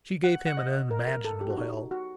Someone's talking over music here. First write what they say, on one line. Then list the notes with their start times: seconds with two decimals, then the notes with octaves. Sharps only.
She gave him an unimaginable hell.
0.24 F#5
0.46 F#5
0.57 D#5
0.91 A#4
1.08 A#4
1.25 A4
1.41 G4
1.50 F#4
1.57 D#4
1.91 F#4